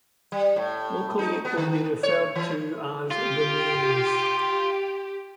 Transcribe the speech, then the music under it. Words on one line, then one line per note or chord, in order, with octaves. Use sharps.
Locally, it will be referred to as "the mains".
G3
A2
D#4
B3
D#3
C#5
E3
F4 G4